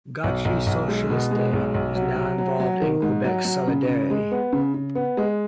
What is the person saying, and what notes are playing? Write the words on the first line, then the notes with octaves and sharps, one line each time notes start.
Gauche Socialiste is now involved in Quebec Solidaire.
B1
B1
B1
G#3
B2
G#3
B1
B1
F#3
F#3
F#3
F#3
D#3
G#2
F#3
F#3
C#3
C#3
G#3
B3
C#3
C#3
B3
G#3